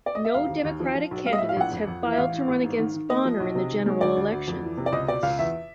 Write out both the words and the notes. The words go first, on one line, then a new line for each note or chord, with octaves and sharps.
No Democratic candidates have filed to run against Bonner in the general election.
D5
D#5
E5
E1 F5
D#2
D#2
F3
F3
B1
G3 F5
D#5
A2 E5
F5
A#1 F#5
F2
F2
E3
E5
A1 F5
E3
A1
G#2
D#3
D#3
A#3 D#5
F3
B1
C3
D#3
G#3
D2 D5
D2
D2
F2
E3
C3
D5
C#2 D#5
B2 D5
C#2 F5
E2 E5